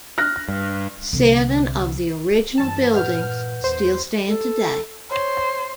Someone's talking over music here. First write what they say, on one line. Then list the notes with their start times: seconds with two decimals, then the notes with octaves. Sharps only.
Seven of the original buildings still stand today.
0.18 F6 F#6 A#6
0.48 G2
1.13 C2 D3
2.58 G2 E3 A5
2.93 A#2 B4 F#5 F6 G6
3.64 E2 C5
4.28 A4
5.10 C5 C#5